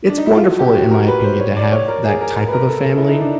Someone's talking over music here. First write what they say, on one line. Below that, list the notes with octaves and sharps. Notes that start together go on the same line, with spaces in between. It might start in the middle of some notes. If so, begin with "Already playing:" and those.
it's wonderful in my opinion to have that type of a family.
D4
D#4
E4
F4
F#4
G4
F#4
A#4
B4
C5
C#5
D5
C#5
A#4
G#4
A#4
A#4
B4
A#4
A4
A4
E4
D#4
D4